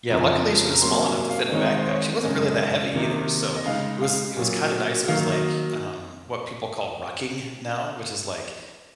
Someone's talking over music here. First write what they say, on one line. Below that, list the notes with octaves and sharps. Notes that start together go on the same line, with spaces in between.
Yeah, luckily, she was small enough to fit in a backpack. She wasn't really that heavy either, so it was it was kinda nice, it was like, um, what people call rucking now, which is, like,
F2 C#3 F3 A#5
G#5
A#5
A#5
C3 F#3 A#3 C#4 C6
G#5
F5
D#3 G#3 C4 D#4 C#5
C5
C#5
F#2 C#3 G#3 D#5
C3 D#3 A#3 D#4
D#5
C#3 G#3 D#4 F5
F5
A#2 F#3 C#4
D#3 F#3 A#3 D#4 F5
D#5